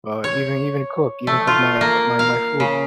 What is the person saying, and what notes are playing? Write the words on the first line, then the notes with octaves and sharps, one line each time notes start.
uh, even even cook even cook my my my food.
C#5
A3
F4
A#3
F5
C#3